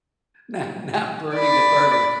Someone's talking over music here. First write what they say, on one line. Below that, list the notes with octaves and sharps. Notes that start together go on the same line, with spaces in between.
not not burning the burgers.
D5 B5